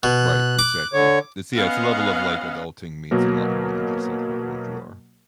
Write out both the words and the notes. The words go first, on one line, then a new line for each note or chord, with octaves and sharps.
Right, exactly, it's yeah it's a level of, like, adulting means a lot more than just, like, how old you are.
B2 F#6
D6
D3 C#5
B3 C#4 D#5 F5 F#5
B2 F#3 A#3 A#4